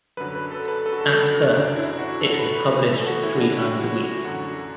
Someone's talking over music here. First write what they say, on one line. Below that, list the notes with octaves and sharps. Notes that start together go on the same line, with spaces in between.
At first, it was published three times a week.
F#2 D3 F#3 B4
B4
A4
B4
A4
F#4
A4
D4
F#2 F#3 D4
E4
F#4
A4
B4
B4
B4
A2 E3 A4
F#4
E4
D4
E4
F#4
F#4
F#2 D3 F#3 F#4